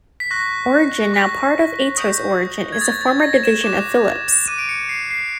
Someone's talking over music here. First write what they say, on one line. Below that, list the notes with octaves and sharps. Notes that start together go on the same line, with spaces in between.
Origin, now part of Atos Origin, is a former division of Philips.
B6
C#6 F#6 A#6
C#6 F#6 A#6
D#6 G6
G#6
D#6 G6 A6
A6
A#6
E7
D6 F#6 E7
D6 F#6 D#7
D7
C#7
C7
C7